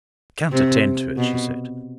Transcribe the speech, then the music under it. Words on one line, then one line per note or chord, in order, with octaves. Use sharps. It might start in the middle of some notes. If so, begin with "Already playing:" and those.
"I can't attend to it," she said.
C3
B2